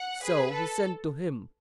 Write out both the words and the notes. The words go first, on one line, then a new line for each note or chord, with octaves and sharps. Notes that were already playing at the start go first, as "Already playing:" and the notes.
So he sent to him.
Already playing: F#5
G#4 B4
A4